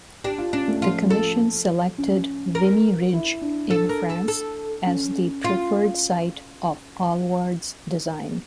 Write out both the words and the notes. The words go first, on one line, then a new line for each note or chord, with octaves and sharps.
The commission selected Vimy Ridge in France as the preferred site of Allward's design.
D4 G4
F4
C#4 D4
A3
F3 F4
A4
C#4
A#4
E4
D4
D4 A4
A#4
A4
A4
C#4
F4